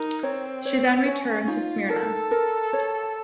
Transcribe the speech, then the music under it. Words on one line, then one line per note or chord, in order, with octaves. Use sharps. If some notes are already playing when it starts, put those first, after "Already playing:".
She then returned to Smyrna.
Already playing: D#4 A#4
C4 C#5
C#5
C#4 C#5
D#4 F4
A4 A#4
A#4
C#5